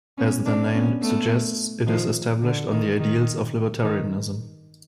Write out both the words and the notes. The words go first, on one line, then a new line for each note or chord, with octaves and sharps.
As the name suggests it is established on the ideals of libertarianism.
B3 C#4
C4 D4
B3 C#4
A3 B3
D#3 F3
D3
D#3
D#3
D#3